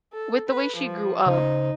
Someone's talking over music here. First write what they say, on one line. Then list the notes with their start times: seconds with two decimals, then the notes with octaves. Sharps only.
with the way she grew up,
0.13 A4
0.48 B4
0.77 F3
1.26 C#3 D#4 C5